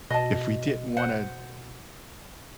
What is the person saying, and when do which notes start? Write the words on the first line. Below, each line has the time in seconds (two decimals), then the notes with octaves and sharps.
if we didn't wanna
0.10 B2 D#5 A5
0.97 C5 F#5